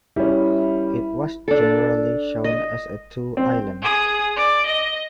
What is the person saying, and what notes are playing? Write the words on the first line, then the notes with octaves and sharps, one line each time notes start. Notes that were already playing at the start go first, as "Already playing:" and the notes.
It was generally shown as two islands.
G3 C#4 E4
D4 A4
D#5
C4
G#4 D#6
D5
D#5